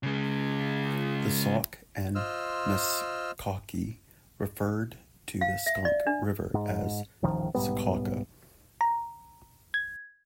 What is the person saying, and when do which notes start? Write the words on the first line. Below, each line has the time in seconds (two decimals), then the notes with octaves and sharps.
The Sauk and Meskwaki referred to the Skunk River as "Shecaqua".
0.03 C#3 G#3
2.15 F4 C5 D#5 E6 F6
5.41 F5
5.66 E5
5.85 D5
6.07 D4
6.54 G#2
7.23 D#1 A1 D#3 F3
7.54 B1 G#2 G3 B3
8.81 A#5
9.74 G#6